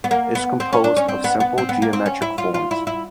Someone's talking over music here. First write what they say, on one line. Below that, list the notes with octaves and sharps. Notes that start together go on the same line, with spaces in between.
It’s composed of simple geometric forms.
B3
A#3
B3
C4
C#4
D4
C#4
C4
B3
B3
C4
B3
A#3
C4
C#4
E4
F4
F4
E4
E4